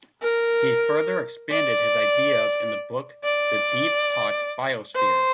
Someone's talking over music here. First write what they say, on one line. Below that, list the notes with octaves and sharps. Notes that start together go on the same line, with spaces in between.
He further expanded his ideas in the book "The Deep Hot Biosphere".
A#4
D5
D5
C5